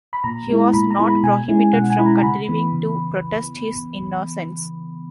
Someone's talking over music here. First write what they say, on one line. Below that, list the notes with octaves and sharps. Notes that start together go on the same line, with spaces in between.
He was not prohibited from continuing to protest his innocence.
B5
A#2 A#5
G#3 B3 E4
A#2 B5
A#5
G#3 B3 E4
B5
B2 G#5
G#3 C#4 E4
B2 F#5
G#5
G#3 C#4 E4 B5
A#5
A#5
C#3 B5
E3 B3
C#3